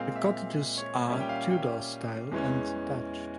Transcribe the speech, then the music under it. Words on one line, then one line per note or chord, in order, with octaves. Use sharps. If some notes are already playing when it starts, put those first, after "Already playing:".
The cottages are Tudor style and thatched.
Already playing: A#2 G#3 C4 F5
E5
C#5
A#2 G3 C#4 E5
G5
F5
G5
E2 E3 G#3 C#4